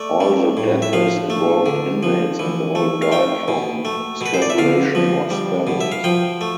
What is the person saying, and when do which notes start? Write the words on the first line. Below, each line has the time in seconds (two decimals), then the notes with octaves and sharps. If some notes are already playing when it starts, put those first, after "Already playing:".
All the deaths involved inmates and all died from strangulation or stabbings.
Already playing: A3 D5
0.20 G3
0.57 A2
0.82 E5
0.93 F3 F5
1.30 A3
1.66 D3
2.03 F3
2.39 E3
2.75 A3
3.02 F5
3.12 A3 G5
3.48 B2
3.85 A3
4.21 B2 B4
4.34 C5
4.42 D5
4.50 E5
4.58 D3 F5
4.95 F3
5.30 G3
5.67 B2
5.81 E5
5.92 F5
6.04 F3 G5
6.41 A3